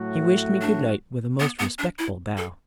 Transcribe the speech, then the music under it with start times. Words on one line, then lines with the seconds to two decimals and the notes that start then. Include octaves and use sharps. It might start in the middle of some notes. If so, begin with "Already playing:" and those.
He wished me good night with a most respectful bow.
Already playing: A2 F#3 A3 F#4
0.61 D4
1.40 B3
1.59 B3
1.79 D4
1.99 E4
2.37 A4